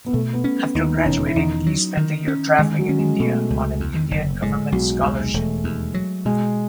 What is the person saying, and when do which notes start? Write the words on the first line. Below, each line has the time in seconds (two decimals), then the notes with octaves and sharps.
After graduating, he spent a year travelling in India on an Indian government scholarship.
0.06 B3
0.13 B2 A3
0.33 B3
0.44 C#4
0.75 D#2 D#4
0.97 D#4
1.05 E1 C#4
1.27 E4
1.36 E2 D#4
1.66 F#3
1.97 D#3
2.28 C#4
2.58 D#3 G#3
2.79 F#3
2.89 C#4
2.98 G#3
3.19 B2 A3
3.50 C#2
3.80 E2
4.11 F#1
4.42 A2 G#3
4.72 B1 F#3
5.03 D#2 G#3
5.34 E1 A3
5.64 D#2
5.94 F#3
6.25 B2 G#3